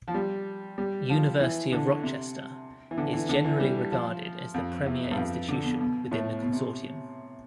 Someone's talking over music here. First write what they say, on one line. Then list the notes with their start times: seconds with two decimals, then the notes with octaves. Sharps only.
University of Rochester is generally regarded as the premier institution within the consortium.
0.08 F3
0.14 G3
0.78 G3
1.10 F3
1.40 E3
1.72 D3
2.03 C3
2.91 E3
2.98 D3
3.13 E3
3.29 D3
3.45 E3
3.60 G3
3.92 F3
4.54 F2
4.86 E2
5.11 G2
5.17 F2
5.48 D3
5.64 B2
5.81 B2
6.12 A2
6.42 B2
6.53 C3